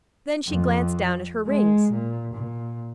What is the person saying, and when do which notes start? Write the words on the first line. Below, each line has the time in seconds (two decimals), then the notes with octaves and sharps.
Then she glanced down at her rings.
0.48 F2
1.46 G#3
1.92 A#2
2.34 A#2